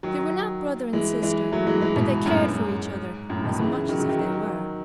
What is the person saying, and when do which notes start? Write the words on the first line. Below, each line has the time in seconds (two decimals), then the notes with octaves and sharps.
They were not brother and sister; but they cared for each other as much as if they were.
0.03 D#3 F#3
0.93 E3 G#3
1.22 E3 G#3
1.51 F#3 A3
1.67 E3 G#3
1.81 E3 G#3
1.96 G#2 B2
2.26 F#2 A2
2.41 F#2
2.56 G#2
3.30 F#2 A2
3.44 B2 D#3
3.59 C#3 E3
3.74 C#3 E3
3.89 D#3 F#3
3.99 C#3 E3
4.09 D#3 F#3
4.19 D#3 F#3